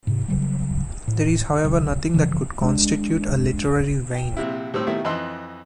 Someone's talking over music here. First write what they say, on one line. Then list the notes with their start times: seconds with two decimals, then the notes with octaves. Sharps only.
There is however nothing that could constitute a literary vein.
0.07 G#2 C3
0.28 C#3 F#3 G3
1.08 A2
1.64 B1 C#3 F#3
2.14 G2 C#3 E3 F3
2.61 G#3 D4
4.15 G5
4.37 A#1 C3 E4
4.74 A2 G3 C4 E6
4.86 B2 D#3 G3 A3 E4
5.05 F2 E3 D#5 C6 E6